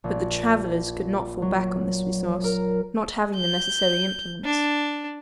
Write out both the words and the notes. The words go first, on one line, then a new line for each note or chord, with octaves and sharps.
But the travelers could not fall back on this resource, not having the necessary implements.
A#1
F#3
A#4
G6
D4